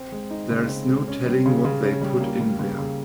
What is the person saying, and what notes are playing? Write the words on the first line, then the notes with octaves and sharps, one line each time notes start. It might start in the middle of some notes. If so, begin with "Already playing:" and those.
There's no telling what they put in there.
Already playing: C4
G#3
D#4
C#3
C4
G#3
C#4
G3
C#3
C#3
C#4
G3
A#3
G3
C#3
C#3